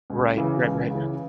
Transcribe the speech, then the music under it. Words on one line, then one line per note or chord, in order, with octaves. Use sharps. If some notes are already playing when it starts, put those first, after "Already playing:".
Right. Right. Right.
C#2
C#3 E3
C#2
C#3 E3